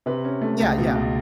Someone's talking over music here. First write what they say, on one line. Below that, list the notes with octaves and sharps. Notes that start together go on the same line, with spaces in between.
Yeah, yeah,
C3 B4
C#4
A3
C#2
B2
C#2